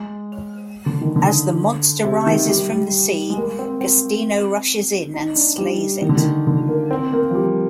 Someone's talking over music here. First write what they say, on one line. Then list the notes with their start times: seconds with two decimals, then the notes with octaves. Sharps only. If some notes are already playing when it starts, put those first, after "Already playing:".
As the monster rises from the sea, Giustino rushes in and slays it.
Already playing: G#3
0.86 D3
1.01 D#3
1.16 D3
2.04 C3
2.26 D#3
2.49 G3
2.71 G3
3.30 G#3
3.38 A#3
3.59 C4
3.81 C4
5.14 D#4
5.36 D4
5.58 G3
6.02 D#3
6.09 D3
6.17 D#3
6.47 D3
6.69 A#3
6.91 C4
7.13 A#3
7.31 F3
7.35 G3